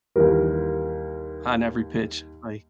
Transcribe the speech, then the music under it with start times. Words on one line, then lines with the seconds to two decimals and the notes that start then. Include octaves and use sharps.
on every pitch, like,
0.16 D#2 E3 G3 A#4